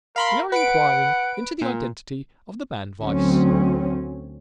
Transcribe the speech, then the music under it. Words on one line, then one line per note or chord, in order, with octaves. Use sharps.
We are inquiring into the identity of the man Weiss.
A#4 F5 B5 C6
B4 F#5 D7
A#2
D2 F#3 C4 C#4